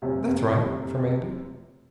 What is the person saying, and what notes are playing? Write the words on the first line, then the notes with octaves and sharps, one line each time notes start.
"That's right," from Andy.
F1 F#2 C3